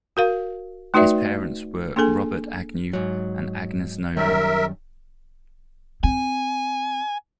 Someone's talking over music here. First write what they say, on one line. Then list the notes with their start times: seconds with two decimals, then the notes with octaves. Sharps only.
His parents were Robert Agnew and Agnes Noble.
0.17 F#4 A#4 F5
0.94 A3 D#4 F#4 B4 D5 E5
1.96 A#3 D4 G#4 A4 G#5
2.93 G#2 F#3
4.17 F#2 D#3 G3 A#4 E5
6.04 C4 G#5